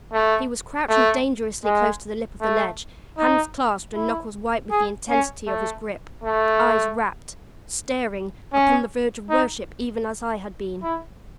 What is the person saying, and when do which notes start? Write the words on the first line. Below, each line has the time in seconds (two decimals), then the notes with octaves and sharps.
He was crouching dangerously close to the lip of the ledge, hands clasped and knuckles white with the intensity of his grip, eyes rapt, staring--upon the verge of worship even as I had been.
0.13 A3
0.89 A3
1.65 G#3
2.41 A3
3.18 D#4
3.94 E4
4.71 G#4
5.10 C#4
5.47 A3
6.23 A3
8.53 C#4
9.30 D#4
10.83 E4